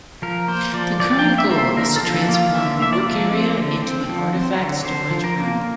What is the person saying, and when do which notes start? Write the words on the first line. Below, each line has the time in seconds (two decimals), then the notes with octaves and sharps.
A current goal is to transform a work area into an artifact storage room.
0.22 F3 A#4
0.48 A#3 C5
0.74 F3 D5
1.00 F3 D5
1.19 G5
1.25 A#3
1.38 E5
1.51 A#3
1.58 C5
1.77 D3 A#4
1.96 A4
2.03 F3
2.29 A#3
2.34 F4
2.54 D3 E5
2.80 A#3 E5
2.93 D5
3.06 F3
3.31 C4
3.57 D3
3.82 C4
4.08 F3
4.33 C4
4.59 D3
4.85 D3 C5
5.11 F3
5.24 A#4
5.37 A#3